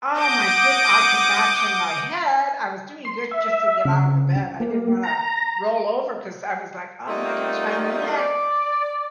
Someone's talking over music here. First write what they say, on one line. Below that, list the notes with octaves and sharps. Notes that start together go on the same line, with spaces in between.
Oh my goodn I could not turn my head. I was doing good just to get out of the bed, I didn't wanna roll over 'cause I was like, "Oh my gosh, my neck."
F#5 D6 D#6 G6 A#6
C6
E5
C#3
A#3
A#5
G3 A3 A#3 D#4 F4 F#4
D5